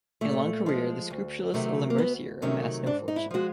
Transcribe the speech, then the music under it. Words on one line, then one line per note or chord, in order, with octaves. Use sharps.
In a long career, the scrupulous Lemercier amassed no fortune.
A#2 A3
F3 G#3
D2
C3 D#3 F#3 A3
A#3
D2 B3
C3 D#3 F#3 A3 C#4
G#2 D4
D#4
E4
F3 G#3 F#4